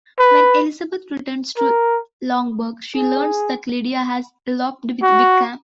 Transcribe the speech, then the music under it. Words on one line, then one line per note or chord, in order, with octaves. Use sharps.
When Elizabeth returns to Longbourn, she learns that Lydia has eloped with Wickham.
B4
A#4
G#4
F#4